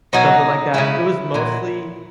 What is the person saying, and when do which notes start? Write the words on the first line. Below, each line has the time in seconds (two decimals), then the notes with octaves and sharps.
something like that, it was mostly
0.13 B2 F#3 D#4
0.74 C#3 G#3 E4
1.34 A#2 F#3